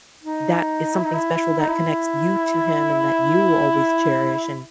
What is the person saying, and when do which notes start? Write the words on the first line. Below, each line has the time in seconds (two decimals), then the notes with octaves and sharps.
that is something special that connects you to him and that you will always cherish, and,
0.23 D#4
0.95 E4
1.04 D#4
1.13 E4
1.60 D#4
1.68 E4